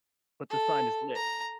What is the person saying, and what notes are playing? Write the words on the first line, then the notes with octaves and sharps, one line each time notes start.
But the sign is lit?
A4
A#5